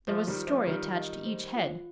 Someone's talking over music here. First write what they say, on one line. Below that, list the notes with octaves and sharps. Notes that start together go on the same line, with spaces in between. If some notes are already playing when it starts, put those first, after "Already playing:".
There was a story attached to each head.
F3 A3 C5
D#3 G3
F4
F3 A3
D#3 G3 F4
D#5
C5
F4